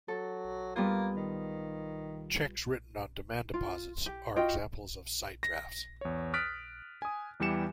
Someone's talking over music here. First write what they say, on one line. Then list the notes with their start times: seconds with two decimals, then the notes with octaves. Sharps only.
Cheques written on demand deposits are examples of sight drafts.
0.08 F#3 A4
0.76 G3 A#3 B3 F4
1.16 D#3
3.54 F4
4.06 G4
4.36 F4 F#4 D#5 G5
5.43 A#6
6.01 E2 C#5
6.34 D#6 F6 F#6 A6 B6 D7
7.02 G#5 D#6
7.40 E2 E3 G3 G4 C#7 E7